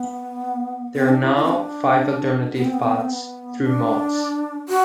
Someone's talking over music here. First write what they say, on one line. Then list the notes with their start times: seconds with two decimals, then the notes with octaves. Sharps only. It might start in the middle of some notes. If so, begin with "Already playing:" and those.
There are now five alternative paths through Mods.
Already playing: B3
0.96 C4
1.09 D4
1.23 E4
1.35 E4
1.44 C4
1.49 D4
2.55 B3
2.64 C4
2.73 B3
2.83 C4
2.92 B3
3.01 C4
3.10 B3
3.62 D4
4.69 F#4